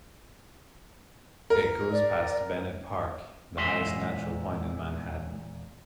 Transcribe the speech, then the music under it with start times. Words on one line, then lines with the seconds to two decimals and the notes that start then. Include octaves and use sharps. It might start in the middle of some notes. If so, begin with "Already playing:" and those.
It goes past Bennett Park, the highest natural point in Manhattan.
1.50 A#4
1.92 D5
3.57 E2 A#2 G#3 E5 C6